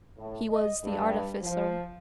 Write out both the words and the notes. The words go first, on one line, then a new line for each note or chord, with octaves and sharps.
He was the artificer.
A2
D#5
G2
F3